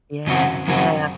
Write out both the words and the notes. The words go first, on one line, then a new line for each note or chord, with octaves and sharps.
Yeah, yeah.
F#2 C#3 F#3 C4 F#4
F#2 C#3 F#3 C4 F#4